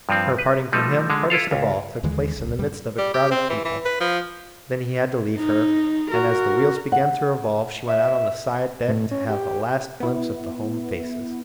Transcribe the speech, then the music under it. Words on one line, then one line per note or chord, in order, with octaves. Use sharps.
Her parting from him, hardest of all, took place in the midst of a crowd of people; then he had to leave her, and as the wheels began to revolve she went out on the side deck to have a last glimpse of the home faces.
G2 F3 C4
B4
F3 G3 A3 D#4
D3 G#3
E4 F4 A4 F5
C#2
D#2 D3 E3 G#3
D1 C2
G2 B2 G3
G3
G4
C4
E3
E3
B4
F3
D#4
F#4 A#4
F#5
E5
A2
C#4
G4
B3 E4